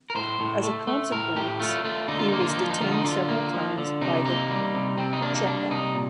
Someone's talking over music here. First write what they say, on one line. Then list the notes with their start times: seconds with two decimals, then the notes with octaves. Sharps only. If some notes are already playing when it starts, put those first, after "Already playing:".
As a consequence, he was detained several times by the Cheka.
0.10 A#4
0.15 A2 C5
0.40 A2
0.63 A3
0.87 A3
1.11 A2 A#4
1.36 A2 G4
1.60 A3 F4
1.84 A3 F4
2.08 D3 D#4
2.19 F4
2.28 A#3 D#4
2.40 F4
2.49 D#4
2.57 F3 F4
2.70 D#4
2.81 D3 F4
2.91 D#4
3.05 D3 F4
3.29 A#3
3.54 F3
3.78 D3
4.01 C3 D#4
4.25 A#3 D#4
4.50 G3
4.74 C3
4.98 C3 C4
5.13 D#4
5.22 A#3 D4
5.35 D#4
5.46 G3 D4
5.71 C3 D#4
5.95 A#2